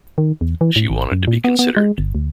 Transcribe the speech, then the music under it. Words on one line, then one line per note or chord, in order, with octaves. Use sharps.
She wanted to be considered.
D#3
E2
E3
A2
G#1
F#2
A#2
B3
B3
G#3
G1
D2